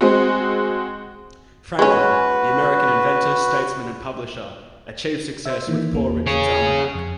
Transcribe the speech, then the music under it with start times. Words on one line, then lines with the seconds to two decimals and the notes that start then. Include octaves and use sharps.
Franklin, the American inventor, statesman, and publisher, achieved success with "Poor Richard's Almanack".
0.01 G#3 C4 F#4
1.79 G#3 C#4 F#4 B4
5.45 C5 E5
5.67 D#3 E3 A#3
5.95 E2 A#3
6.27 G#4 C#5
6.95 F2